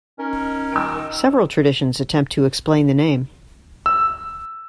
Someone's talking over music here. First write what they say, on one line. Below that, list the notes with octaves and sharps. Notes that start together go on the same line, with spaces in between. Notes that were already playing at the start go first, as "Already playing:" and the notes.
Several traditions attempt to explain the name.
C#4 D#4 A#4
D#3 E6 D7
E6